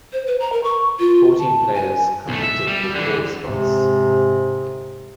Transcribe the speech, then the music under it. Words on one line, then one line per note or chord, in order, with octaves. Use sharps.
Fourteen players competed for four spots.
C5
B4
A#5
A#4
C#6
F4
A5
G#5
B1 A3
E5
G3
D3 E3
G#2 C3